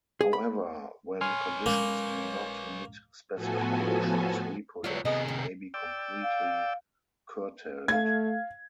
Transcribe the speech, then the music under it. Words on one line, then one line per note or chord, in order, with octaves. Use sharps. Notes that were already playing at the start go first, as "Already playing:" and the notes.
However, when conditions do not meet specifications, reproduction may be completely curtailed.
G#4
B5
B4 C#5 G#5 C6 F6
G#3 A#3 C#4
A2 F3 B3 F#4 A4 G#5
F#3 G3 C4 F4 C#5
C3 B3 G#4 A4 D#5
D#3
D5 G5 E6
F5
A3 F5 G#6